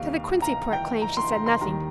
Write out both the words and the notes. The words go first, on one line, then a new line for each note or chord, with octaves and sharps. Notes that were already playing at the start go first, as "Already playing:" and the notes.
To the Quincy-port claim she said nothing.
Already playing: D#2 D#3 G3 F5
A#5
G5
A#5
C6
A#5
C6
D#2 D#3 G3 A#5